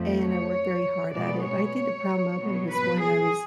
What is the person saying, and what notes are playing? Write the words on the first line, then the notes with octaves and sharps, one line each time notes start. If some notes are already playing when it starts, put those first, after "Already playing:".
and I worked very hard at it. I think the proud moment was when, I was
Already playing: F2 F3 A3
C#5
B2 G#3 B3 D5
C#5
B2 F#3 B3
B4
G#4